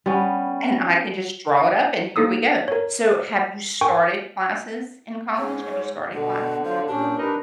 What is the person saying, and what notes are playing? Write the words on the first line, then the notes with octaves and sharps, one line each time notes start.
And I can just draw it up and here we go. So have you started classes in college? Have you started classes?
G3 B3 C#4
A#3 D#4 A4 D#6 E6
A#4 C#5
A#4 G5 G#5 C#6
G#2 C#5
B2 D3 F#5
F#3 F4 C5 F5
A#2 C#4 D4 G4
D4 D#4 A#4 B4